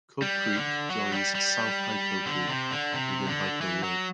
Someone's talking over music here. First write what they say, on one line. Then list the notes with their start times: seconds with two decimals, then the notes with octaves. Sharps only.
Cub Creek joins South Hyco Creek within Hyco Lake.
0.22 G3
0.57 D3
0.90 F#3
1.12 G3
1.35 G3
2.26 D3
2.49 C3
2.71 D3
2.94 C3
3.27 D3
3.61 E3
3.83 F#3